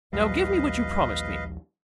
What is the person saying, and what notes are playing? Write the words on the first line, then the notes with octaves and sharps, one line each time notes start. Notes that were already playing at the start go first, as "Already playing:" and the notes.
"Now give me what you promised me."
A#1 D#2 G3 B4 D#5 F5